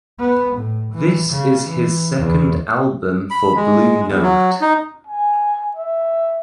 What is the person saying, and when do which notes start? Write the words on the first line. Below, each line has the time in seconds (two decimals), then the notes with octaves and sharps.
This is his second album for Blue Note.
0.20 B3
0.57 A2
0.93 E3
1.30 C#3
1.69 E3
2.18 E2
3.30 B5
3.56 G#3
4.07 E2
4.23 F#3
4.61 D#4
5.07 G#5
5.76 E5